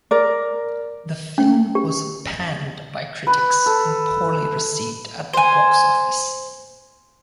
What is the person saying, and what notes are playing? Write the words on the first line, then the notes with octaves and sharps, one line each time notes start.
The film was panned by critics, and poorly received at the box office.
A#4 D5
C#4
G4
B4
A4
C5 G#5